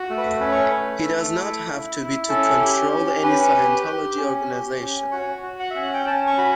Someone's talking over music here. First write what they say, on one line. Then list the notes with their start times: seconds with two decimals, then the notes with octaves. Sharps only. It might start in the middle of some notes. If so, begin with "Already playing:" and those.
He does not have to be to control any Scientology organization.
Already playing: F#4
0.10 A3
0.17 B4
0.40 C#4 B4
0.52 C#5
0.63 B4
0.72 A3
1.03 A3
1.35 E4
1.66 E4
1.97 E4
2.28 C#4 A4
2.60 G4
2.92 C#4
3.23 C#4 B4
3.55 G4
3.87 G4
4.17 C#4
4.49 G4
4.81 C#4
5.11 F#4 C#5
5.43 F#4
5.60 F#5
5.71 C#4 E5
5.82 F#5
5.94 G5
6.06 C#4 A5
6.27 C#6
6.38 F#4 B5